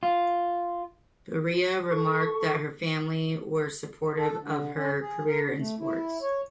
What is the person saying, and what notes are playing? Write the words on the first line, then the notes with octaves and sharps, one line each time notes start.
Barea remarked that her family were supportive of her career in sports.
F4
A4 C#6
A4
D3
C#4
G#4
A#4
D3
A3
E4
C#5